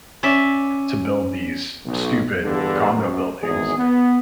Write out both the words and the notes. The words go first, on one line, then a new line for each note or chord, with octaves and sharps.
to build these stupid condo buildings
C#4 D5 E5
B1
E2 G2 D3
F#2
G#1 E2 G#4
B3